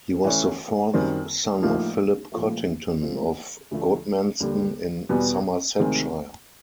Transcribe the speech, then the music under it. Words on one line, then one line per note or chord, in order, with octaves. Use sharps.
He was the fourth son of Philip Cottington of Godmanston in Somersetshire.
E3 A3 C#4
F#2 D#3 G3 C4
A2 F3 A#3 D#4
A#2 F3 A3
F3 A3 C4
D2 D3 F3 A3
D#2 D3 G3
E2 B2 G3 B3
D2 C3 D#3 G#3 C4